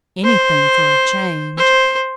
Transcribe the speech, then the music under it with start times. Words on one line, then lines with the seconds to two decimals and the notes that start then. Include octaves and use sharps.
Anything for a change.
0.24 C5
1.57 C5